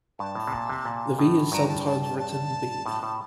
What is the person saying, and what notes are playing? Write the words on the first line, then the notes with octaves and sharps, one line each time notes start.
The "V" is sometimes written "B".
G2 A5
A2
C3
A#2
C3
A#2
A2
G2 A#5
A5
A5
A5
A5
A2
A2